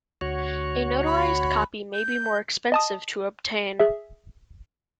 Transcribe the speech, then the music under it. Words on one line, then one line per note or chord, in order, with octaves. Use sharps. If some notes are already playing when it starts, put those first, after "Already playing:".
A notarized copy may be more expensive to obtain.
D2 F#4 C#5
B5
G6
D#5 A5 D#6
G#4 E5